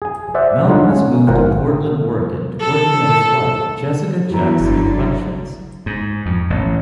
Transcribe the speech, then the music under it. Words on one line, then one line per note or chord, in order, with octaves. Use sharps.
Malkmus moved to Portland, Oregon, where he met his wife, Jessica Jackson Hutchins.
G#4 G#5
C5 D5 E5 F#5
D3 D#4 F4 C#5 F#5
C#4
G#1 F4 A#4 C5 F#5 G5
A4
E2 F#3 E4 F#4 A#5
G1 D3 F#3
G#2
F2
A1